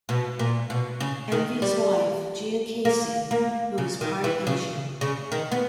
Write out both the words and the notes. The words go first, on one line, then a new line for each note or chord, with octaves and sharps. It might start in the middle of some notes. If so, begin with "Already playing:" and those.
Envy's wife, Gia Casey, who is part Asian.
B2
A#2
B2
C#3
D#3
G3
A#3
A#3
C#3
D#3
E3
C#3
C#3
D#3
B3